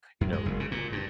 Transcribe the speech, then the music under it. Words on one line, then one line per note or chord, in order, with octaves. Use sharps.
you know,
F#2
G#3
F#1
C#3
A#2
G2